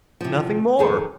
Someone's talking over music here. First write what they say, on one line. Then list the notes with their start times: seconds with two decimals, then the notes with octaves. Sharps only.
Nothing more.
0.21 C3 F3
0.79 F2 D#3 G#4 A4